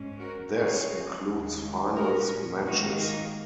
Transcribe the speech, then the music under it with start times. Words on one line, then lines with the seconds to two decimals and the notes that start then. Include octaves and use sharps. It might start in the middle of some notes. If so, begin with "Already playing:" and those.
This includes finals matches.
Already playing: G#2 G#3 C#4
0.19 F#4 A#4
0.54 C#3 G#3 D#4 G#4 C#5
1.24 D#2 C#3 G#3
1.95 A#2 A#3 C#4 F#4 A#4
2.65 G#2 D#3 A#3 D#4 F#4
3.01 D#4